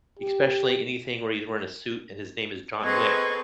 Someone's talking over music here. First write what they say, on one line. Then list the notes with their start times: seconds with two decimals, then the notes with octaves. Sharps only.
especially anything where he's wearing a suit and his name is John Wick.
0.20 G4
2.84 C4 G#4 A4 B4 D#5 C#6 F#6 G#6